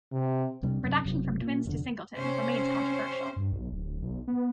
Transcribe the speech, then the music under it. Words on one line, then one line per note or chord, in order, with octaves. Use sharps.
Reduction from twins to singleton remains controversial.
C3
C2 C3 G3 D4
F#2 C3
F#1 C3 F#3
A#2
F1 A#2 D3
C3 C#4 C5
G2
B1
D1
B1
B3